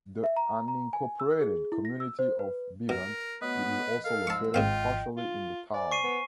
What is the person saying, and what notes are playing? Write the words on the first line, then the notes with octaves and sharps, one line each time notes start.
The unincorporated community of Bevent is also located partially in the town.
E5
A#5
A#5
G#5
E6
G#4
E4
A#6
E6
C5
B4
B2 A#4
F#3 A3 B3 B4 D#5
A4 A#4 F5
G#2 G#3 A5 C#6 E6
G#1 G#2 C4 F4 D#5 F5 G5
F4
C5 D5 G#5
C#6 C7 D#7
B3